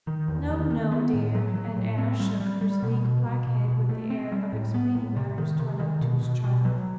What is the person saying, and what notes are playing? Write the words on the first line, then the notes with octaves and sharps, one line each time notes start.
"No, no, dear," and Anna shook her sleek black head with the air of explaining matters to an obtuse child.
D#3
E2
D#3
D#3
B3
A2
F#3
F#3
A2
C4
G3
G3
G3
B2
B2
B2
B2
B2
A3
C4
G3
A2
B3
A2
C3
D#3
C3
D#3
B2
B2
B2
F#3